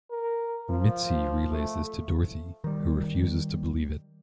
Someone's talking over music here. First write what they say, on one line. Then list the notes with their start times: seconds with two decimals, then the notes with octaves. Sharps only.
Mitzi relays this to Dorothy, who refuses to believe it.
0.10 A#4
0.70 F3
1.51 A3
2.64 D#3 G3